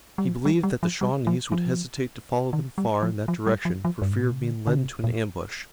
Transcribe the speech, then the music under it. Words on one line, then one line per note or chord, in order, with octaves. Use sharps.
He believed that the Shawnees would hesitate to follow them far in that direction for fear of being led into an ambush.
G3
F3
G3
G3
F3
G3
F3
F3
D#3
G3
F3
F3
G3
F3
F3
G2
G#2
A#2
C3
D3
D3
C3
A#2